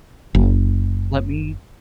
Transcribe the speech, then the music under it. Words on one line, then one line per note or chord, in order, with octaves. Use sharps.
Let me"
F#1